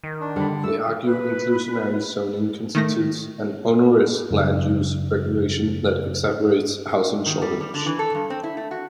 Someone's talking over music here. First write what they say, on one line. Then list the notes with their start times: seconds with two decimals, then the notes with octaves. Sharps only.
They argue inclusionary zoning constitutes an onerous land use regulation that exacerbates housing shortages.
0.04 D#3
0.21 D4
0.36 D3 G3 B5
0.64 A3 E6
1.05 B4
2.75 D#3 A3 A#6
4.31 F#2 C#3
7.26 D#3
7.42 G3
7.61 G3
7.74 D3
7.86 E3
7.99 A4
8.15 G2
8.30 C4
8.44 E4
8.57 A3
8.71 F#4